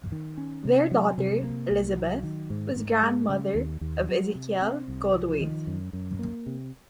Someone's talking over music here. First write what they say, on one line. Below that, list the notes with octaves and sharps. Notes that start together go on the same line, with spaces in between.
Their daughter, Elizabeth, was grandmother of Ezekiel Goldthwait.
D#3
C#4
C3
F#3
C3
A#3
C2
F#3
D#3
G#2
G#2
G#3
C#3
D#2
D#2
F#3
C3
C4
C2
F3
D#3
F#2
F#2
A#3
C3